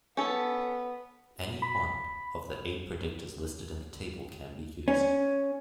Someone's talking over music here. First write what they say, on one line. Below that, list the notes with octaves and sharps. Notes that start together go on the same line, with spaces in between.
Any one of the eight predictors listed in the table can be used.
B3 C#4 A4
B5
C#4